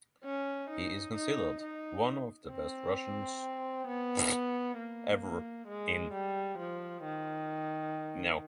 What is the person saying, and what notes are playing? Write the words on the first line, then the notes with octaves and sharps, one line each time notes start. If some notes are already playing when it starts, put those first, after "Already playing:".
He is considered one of the best Russians ever in each of those sports.
C#4
D#4
D#4
D#4
C4
B3
A#3
G#3
G3
F3
D#3